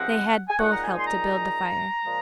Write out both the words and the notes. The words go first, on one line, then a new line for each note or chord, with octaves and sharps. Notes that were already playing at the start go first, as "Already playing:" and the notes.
They had both helped to build the fire.
Already playing: C#2 C3 F3 C4 D#4 F#5
G#5
A#2 G#3 D#4 F#5
A#5
G#5
C6
A#5
A#2 F3 G#3